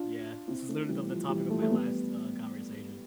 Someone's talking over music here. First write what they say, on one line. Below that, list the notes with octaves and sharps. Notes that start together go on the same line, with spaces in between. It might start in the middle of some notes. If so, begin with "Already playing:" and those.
Yeah. This is literally the the topic of my last, uh, conversation.
Already playing: D4 F4
C4 E4
A3 C4
E3 G3
F3
E3 G3
F3 A3
A3
G3 B3